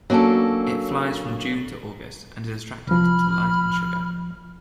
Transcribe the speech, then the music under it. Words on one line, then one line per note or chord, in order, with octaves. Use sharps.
It flies from June to August and is attracted to light and sugar.
F#3 A#3 C#4 D4 A4
C2 F3 B5 F6